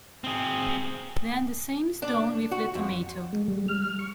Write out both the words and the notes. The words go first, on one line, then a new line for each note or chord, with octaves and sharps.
Then the same is done with the tomato.
C4 G#4
D4
F#4
F2
G#3
G3
F6
F6
C#6